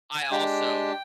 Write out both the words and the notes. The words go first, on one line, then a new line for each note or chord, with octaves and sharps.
I also
G#5
G#3 D4 G4 G5